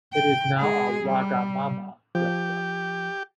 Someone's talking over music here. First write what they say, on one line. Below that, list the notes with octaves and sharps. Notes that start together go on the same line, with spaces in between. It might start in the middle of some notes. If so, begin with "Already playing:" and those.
It is now a Wagamama restaurant.
G5
G#3 G#4
G3
F3 G4